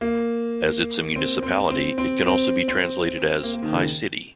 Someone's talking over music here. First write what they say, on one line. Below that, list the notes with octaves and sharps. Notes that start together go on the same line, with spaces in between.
As it's a municipality, it can also be translated as "high city".
A#3
C4
C4
C4
C4
C4
C4
A#3
A#3
D#3
C#3